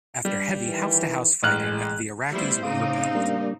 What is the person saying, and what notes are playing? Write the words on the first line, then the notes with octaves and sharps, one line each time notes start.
After heavy house-to-house fighting, the Iraqis were repelled.
G2 G3
D#3 E3
A1 G#3 F6 F#6
F3 G3 A3 B3 E4 C5
A2 C#3 C4 D#4 F5 D6 D#6
G3 A#3 D4